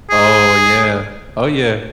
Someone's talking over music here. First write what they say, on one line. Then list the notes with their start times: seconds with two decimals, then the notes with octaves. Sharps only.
Oh, yeah. Oh, yeah.
0.10 G#4